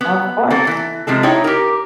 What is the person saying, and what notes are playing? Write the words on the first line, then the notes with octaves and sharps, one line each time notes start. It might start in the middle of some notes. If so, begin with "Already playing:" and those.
Of course.
B3
A#3 C4 A4
E3
C3 F3 G#3 A4
D#4 E4 C#5 G5
G4 A#4